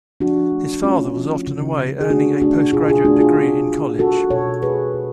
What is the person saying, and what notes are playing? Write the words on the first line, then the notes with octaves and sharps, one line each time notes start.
His father was often away earning a postgraduate degree in college.
F3 D4 F#4
A3
A3 C#4 F4
F3
C#3
C#3
G#4
A3 D4 F#4
A3 D4 F#4
B2 F4 G#4
F4 G#4
A3 D4 F#4
F4 G#4
A3
F#3
G#3 F#4 A4
B2 A4 C#5
G#3 G#4 B4
B2